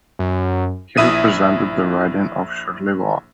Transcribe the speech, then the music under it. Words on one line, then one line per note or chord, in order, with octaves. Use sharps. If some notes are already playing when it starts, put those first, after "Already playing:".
He represented the riding of Charlevoix.
F#2
A#1 E4 E5 D#6 D#7